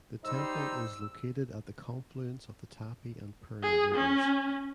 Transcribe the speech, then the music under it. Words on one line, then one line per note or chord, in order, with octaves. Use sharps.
The temple is located at the confluence of the Tapi and Purna rivers.
G3 D#4 C5 E6
G#4
C#4